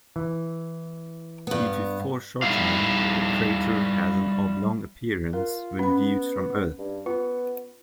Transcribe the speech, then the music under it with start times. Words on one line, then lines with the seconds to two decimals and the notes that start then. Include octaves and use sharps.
Due to foreshortening, the crater has an oblong appearance when viewed from Earth.
0.16 E3
1.47 G2 B3
2.42 G3 G#3 D#4 E4 F5
5.33 F4 A#4
5.79 B3 C#4 B5
6.79 G2
7.06 B3 F4